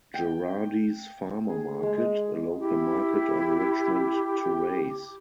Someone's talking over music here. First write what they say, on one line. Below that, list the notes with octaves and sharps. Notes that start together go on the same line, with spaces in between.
Gerardi's Farmer Market, a local market on Richmond Terrace.
G5
G#4
G#3
E4 G4